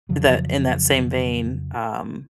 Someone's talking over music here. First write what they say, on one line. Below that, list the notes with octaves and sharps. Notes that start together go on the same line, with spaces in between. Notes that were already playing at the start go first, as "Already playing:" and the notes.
the in that same vein, um,
F2 C#3 F3 F#3